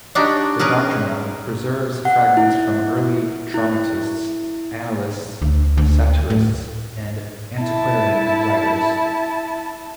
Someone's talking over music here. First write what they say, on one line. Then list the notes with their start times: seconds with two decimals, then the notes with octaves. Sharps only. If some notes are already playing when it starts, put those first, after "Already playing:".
The "Doctrina" preserves fragments from early dramatists, annalists, satirists, and antiquarian writers.
0.15 D4 D#4 F#4 G4 D5
0.59 C#4 G#4 A#4 B4
2.05 F#5
2.37 E4
3.54 E4
5.42 D2
5.77 D2
6.30 A2
7.60 E4 A5